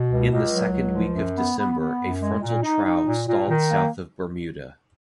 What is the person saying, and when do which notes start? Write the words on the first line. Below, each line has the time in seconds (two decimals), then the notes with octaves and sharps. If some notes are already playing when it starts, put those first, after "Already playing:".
In the second week of December, a frontal trough stalled south of Bermuda.
Already playing: B2
0.09 C#2
0.30 C#2
0.52 F#3
0.72 C#2
0.94 F3
1.15 F#2
1.37 B3
1.57 B3
1.78 B3
2.00 F#2
2.21 G#3
2.42 A#2
2.63 D#4
2.85 D#4
3.05 A#2
3.27 A#2
3.48 D#3
3.70 A#3